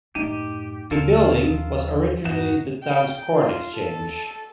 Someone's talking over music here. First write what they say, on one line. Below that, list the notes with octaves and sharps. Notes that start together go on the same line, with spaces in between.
The building was originally the town's corn exchange.
F#2 A2 D#4 G4 D#7
D#2 D3 A#3 F4 A4 A#4 C#7
F3 C#4
E2 G2 D#4 F#4 E7
G5
F4
A4